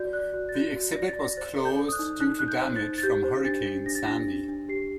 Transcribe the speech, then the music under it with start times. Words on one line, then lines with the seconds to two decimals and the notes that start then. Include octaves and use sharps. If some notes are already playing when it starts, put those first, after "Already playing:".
The exhibit was closed due to damage from Hurricane Sandy.
Already playing: F#4 D5 G6
0.13 D5 F#6
0.33 F#4
0.49 A6
0.54 F#4 G6
0.76 F#4
0.96 D5 A#6
1.08 A6
1.16 D5 A#6
1.37 C5 A6
1.58 A4
1.65 G6
1.79 A4
1.88 D#6
1.93 F#6
1.99 D#4
2.20 D#4 F#6
2.39 D#4 F#6
2.48 G6
2.61 C5
2.76 A6
2.82 D#4
2.98 A6
3.03 G4 G6
3.24 C5
3.44 D4 A6
3.65 D4
3.86 D4 A#6
3.95 A6
4.06 D4 A#6
4.28 D4
4.48 D4
4.69 G4 C7